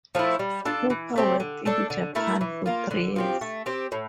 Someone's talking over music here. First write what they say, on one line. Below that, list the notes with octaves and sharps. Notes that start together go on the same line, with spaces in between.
Hooper worked in Japan for three years.
F3 A3 E4
G3
D4 F4 A4
E3
A3 C4 G4
D3
A3 D4 A4
D3
A3 E4 A#4
E3
A#3 F4
D3
F3 C4 G4
A3
C4 G4
A2